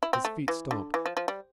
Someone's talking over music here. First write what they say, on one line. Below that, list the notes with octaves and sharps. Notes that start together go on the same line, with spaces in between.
His feet stopped.
E4
C4
A3
E3
D3
E3
F3
F3
G3